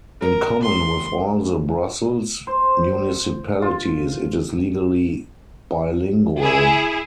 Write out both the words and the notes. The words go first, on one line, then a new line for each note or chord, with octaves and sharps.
In common with all the Brussels municipalities, it is legally bilingual.
A#4
C6
C5
F4
E4 G#4